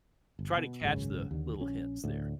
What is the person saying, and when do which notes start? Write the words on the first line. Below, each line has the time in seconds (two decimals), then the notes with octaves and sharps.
try to catch the little hints there.
0.39 G1
0.57 B2
0.81 G#1 C#2 F#2 C#3
1.31 D#2 D3
1.59 A#1 C#4
2.04 D2 A2